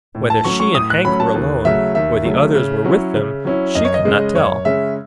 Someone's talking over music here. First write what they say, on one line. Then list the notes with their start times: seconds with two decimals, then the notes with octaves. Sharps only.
Whether she and Hank were alone, or the others were with them, she could not tell.
0.15 A2
0.30 A5
0.44 F#3 A3 C#4 C#6
0.60 C#6
0.75 A2 D#6
0.90 F#6
1.05 F#3 A3 C#4 B5
1.20 A5
1.35 D#2
1.65 C#3 F#3 A3 E5
1.95 D#2 E5
2.25 C#3 F#3 A3
2.55 C#3
2.85 F#3 C#4 E4
3.15 C#3
3.45 F#3 C#4 E4
3.75 F#2 D#5
3.85 C#5
3.94 D#5
4.05 C#3 G#3 C#4
4.35 F#2 C#5
4.65 C#3 G#3 C#4 E5